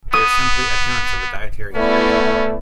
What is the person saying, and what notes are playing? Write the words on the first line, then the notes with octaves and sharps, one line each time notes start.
They are simply adherents of a dietary theory.
B3 D#6
A3 B3 C#4 E4 D5